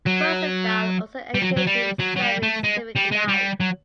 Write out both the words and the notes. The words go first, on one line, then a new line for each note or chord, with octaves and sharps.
Rosendahl also engaged himself in civic life.
F#3
G3
F#3
F#3
G3
F#3
F#3
G3
A3
G#3
G3
G#3
G3
F#3